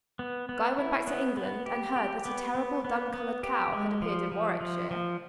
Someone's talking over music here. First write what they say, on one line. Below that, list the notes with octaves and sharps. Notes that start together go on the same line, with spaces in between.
Guy went back to England and heard that a terrible dun-colored cow had appeared in Warwickshire.
B3
B3
E4
B3
B3
G4
G4
B3
B3
B3
B3
G4
G#3
F3
F3
F3
F3